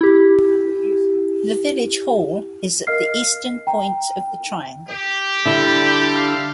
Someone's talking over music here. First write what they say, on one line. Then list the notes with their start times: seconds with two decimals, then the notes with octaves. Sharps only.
The village hall is at the eastern point of the triangle.
0.01 E4 G4
2.87 A#4 D#5 F5 F6 C7
3.67 G5 A#5
4.88 G4
5.45 D3 G3 E4 A4
6.15 F5